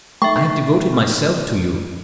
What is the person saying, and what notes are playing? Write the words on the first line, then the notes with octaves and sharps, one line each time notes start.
I have devoted myself to you.
A3 D#4 E5 G5 C#6